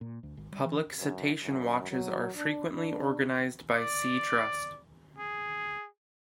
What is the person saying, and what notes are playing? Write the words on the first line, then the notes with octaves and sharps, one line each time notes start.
Public cetacean watches are frequently organized by Sea Trust.
A#2
D2
G#1
G3
E3
F#2
F#2
F#3
D4
D4
D5
G#4